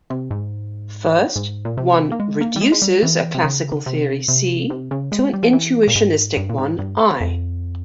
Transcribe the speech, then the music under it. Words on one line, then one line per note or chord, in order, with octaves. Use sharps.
First, one "reduces" a classical theory C to an intuitionistic one I.
C3
G#2
G#2
A#2
C3
A#3
G#3
A#3
G3
G#3
G#3
G3
E3
C3
C#3
C3
C3
C3
C#3
G#3
G3
F3
E3
A#2
G#2
G2
A#2
G#2
G2
F2